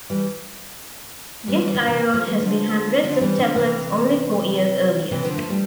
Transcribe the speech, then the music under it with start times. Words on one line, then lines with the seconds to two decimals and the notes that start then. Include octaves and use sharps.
Yet Eyraud had seen hundreds of tablets only four years earlier.
0.10 E3 G3
1.48 E3 G3
1.61 E3 G3
1.74 D3 F3
1.88 C3 E3
2.14 F3 A3
2.27 E3 G3
2.39 D3 F3
3.04 D3 F3
3.21 E3 G3
3.38 D3 F3
3.56 C3 E3
5.11 C3 E3
5.25 D3 F3
5.38 F3 A3
5.50 G3